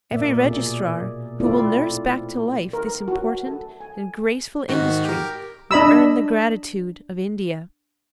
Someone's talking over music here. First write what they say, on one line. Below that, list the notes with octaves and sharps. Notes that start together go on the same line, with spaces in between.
Every registrar who will nurse back to life this important and graceful industry will earn the gratitude of India.
A#2 A#3 D5 E5
B2 G#4 D5
A3 C4 E4 F4 A4 D5
A#4
F#4
A4
G#5
G#2 D#3 F#4
G4 A#4
D4 D#5 B5 E6